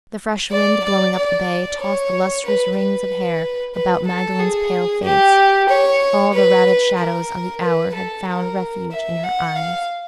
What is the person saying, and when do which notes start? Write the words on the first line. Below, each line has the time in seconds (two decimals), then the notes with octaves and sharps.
The fresh wind, blowing up the bay, tossed the lustrous rings of hair about Magdalen's pale face; all the routed shadows of the hour had found refuge in her eyes.
0.51 D5
0.84 D5
1.16 D5
1.81 C#5
2.45 B4
2.77 B4
3.75 B4
4.07 A4
4.39 G#4
5.04 G4
5.69 C#5
6.33 B4
6.97 A#4
7.62 B4
7.95 A4
8.27 A#4
8.92 E5
9.24 F#5
9.56 F5